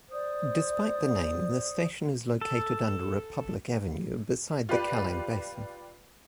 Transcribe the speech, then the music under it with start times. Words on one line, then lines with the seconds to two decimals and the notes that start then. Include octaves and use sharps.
Despite the name, the station is located under Republic Avenue, beside the Kallang Basin.
0.11 C5 D5 D#6
2.41 A4
4.69 F4 G4 B4 D5